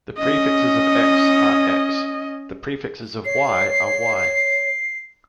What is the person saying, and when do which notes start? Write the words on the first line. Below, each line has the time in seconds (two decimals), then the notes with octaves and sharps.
The prefixes of "X" are "X"; the prefixes of "Y" are "Y".
0.18 C#4 D#5
3.25 C#5 C7